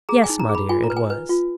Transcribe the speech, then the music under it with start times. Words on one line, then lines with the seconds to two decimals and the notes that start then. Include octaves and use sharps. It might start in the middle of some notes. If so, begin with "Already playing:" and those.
'Yes, my dear, it was.'
0.09 G#4 A#5
0.24 G#5
0.29 D#4
0.39 A#5
0.49 G#4
0.55 B5
0.69 F4 G#5
0.84 A#5
0.90 B4
0.97 G#5
1.10 B4
1.29 F4